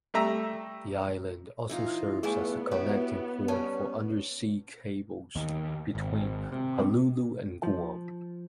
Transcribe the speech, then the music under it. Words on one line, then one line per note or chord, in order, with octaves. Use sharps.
The island also serves as the connecting point for undersea cables between Honolulu and Guam.
G3 A3 E5 A#5
E3 D#4 F4
E2 G2 A3 B3 G#4 G#5
E4 F#4 G4 C#5
G3 C#4 A5
D#2
G#1
C3
F3